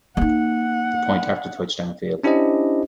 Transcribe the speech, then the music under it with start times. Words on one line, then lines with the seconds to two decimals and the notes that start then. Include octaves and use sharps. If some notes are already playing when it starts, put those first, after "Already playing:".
The point after touchdown failed.
0.17 A#3 D#4 F#5
2.24 C#4 D4 E4 G4 C5 D#5